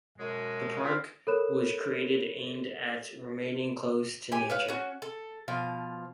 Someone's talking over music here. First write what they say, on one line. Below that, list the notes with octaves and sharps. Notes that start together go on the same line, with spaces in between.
The park was created aimed at remaining close to nature.
F#2 B2 G#3
C4 F4 A#4 F5 B5
A4 A#4 C#5 B5 F#6 E7
G4 G#5
B4 C#5 F5
C#4 F#4
A4
B2 F3 F5